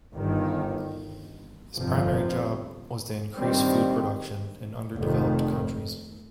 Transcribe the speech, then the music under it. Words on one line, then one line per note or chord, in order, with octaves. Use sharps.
His primary job was to increase food production in underdeveloped countries.
G1 G2 D#3
G1 F2 C3 F3
G2 D#3 G3 C4
F1 F2 D#3